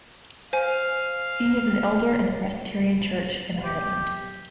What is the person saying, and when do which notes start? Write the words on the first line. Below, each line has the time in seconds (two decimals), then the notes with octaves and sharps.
He is an elder in the Presbyterian Church in Ireland.
0.53 C5 F5 G#5
3.64 G4